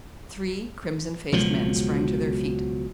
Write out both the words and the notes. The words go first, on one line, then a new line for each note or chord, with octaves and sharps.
Three crimson-faced men sprang to their feet.
C#2 B2 F3 F#3